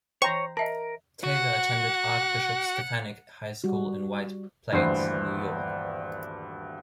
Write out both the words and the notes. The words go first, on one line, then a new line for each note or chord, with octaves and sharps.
Taylor attended Archbishop Stepinac High School in White Plains, New York.
E3 C5 C#5 G5 A#5 C#6
A#4 D#5 E5 A5
F#4 F#5
G3 F#4
D#1 D2 G2 E3 C5 C7